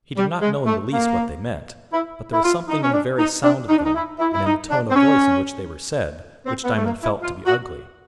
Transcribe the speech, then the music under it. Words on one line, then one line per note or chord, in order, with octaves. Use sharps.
He did not know in the least what they meant, but there was something in the very sound of them, and in the tone of voice in which they were said, which Diamond felt to be ugly.
G3
G#3
A3
A#3
E4
E4
F4
D#4
C#4
D4
D#4
D4
D#4
D4
D#4
E4
E4
E4
D#4
D4
C4
C#4
C4
B3
A3
A#3
E4
F4
F#4